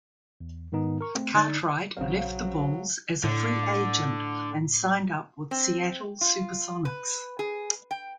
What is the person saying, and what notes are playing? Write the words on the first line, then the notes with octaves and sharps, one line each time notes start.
Cartwright left the Bulls as a free agent and signed with the Seattle SuperSonics.
E2
G#2 D#3 B3 D#4
A#4 C#6
A3 C4
D3 D#4 D5 A6
A#1 C#3 F#3 C4 F5
A2 D3
C4
F4
B4
G#4
G5